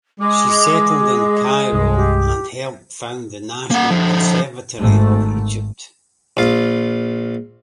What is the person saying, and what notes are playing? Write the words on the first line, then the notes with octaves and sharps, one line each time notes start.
She settled in Cairo and helped found the National Conservatory of Egypt.
G#3 D6
C2 G2 D#5
G4
A#3 F#5
D3 F3
G#1 G#2 A3
A#1 F4